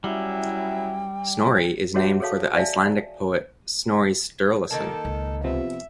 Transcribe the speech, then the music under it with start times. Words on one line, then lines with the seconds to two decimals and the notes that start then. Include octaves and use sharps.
Snorri is named for the Icelandic poet Snorri Sturluson.
0.04 F#3 G3 C#4 E4 G5
1.94 F#4 G#4 C#5 E5 F#5
2.20 G#4 A4 C#5 F5 A5
2.55 D5 E5 F5 G#5 A5
4.71 D#3 A#3 A4 A5
5.05 C#2
5.44 C3 F3 B3 E5